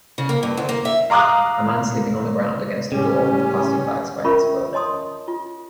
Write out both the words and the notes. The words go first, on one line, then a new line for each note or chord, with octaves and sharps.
A man sleeping on the ground against a door with plastic bags by his foot.
C#3
A#3
G2
D2
A#3
E5
F5 A#5 D6 D#6 F#6
A2 C#3 G3 C#4 G4
C#4 F4 A#4 E5 B5 C#6
C#5 D#5 A5 C6 D#6
F4